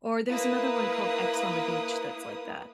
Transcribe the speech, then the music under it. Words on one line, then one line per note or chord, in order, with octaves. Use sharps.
Or there's another one called X on the Beach that's like that.
A#3 E4 B4 D#6